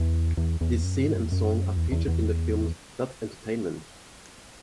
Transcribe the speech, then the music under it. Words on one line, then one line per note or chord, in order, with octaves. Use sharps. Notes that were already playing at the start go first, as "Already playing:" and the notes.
This scene and song are featured in the film That's Entertainment!
Already playing: E2
E2
E2
F#2
G#2
F#2
E2
F#2
E2
E2
E2